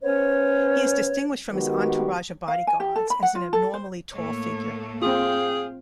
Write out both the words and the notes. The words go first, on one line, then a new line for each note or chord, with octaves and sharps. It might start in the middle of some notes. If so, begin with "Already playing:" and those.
He is distinguished from his entourage of bodyguards as an abnormally tall figure.
B3 C#4 C5 C#5
D#3 G#3 B3 F#4 G4 A#4
F5
G#5
G4
A4
B5
F#5
F4
A4
C5
A2 A3 A#3 C#5
C4 F4 G#4 F5 G5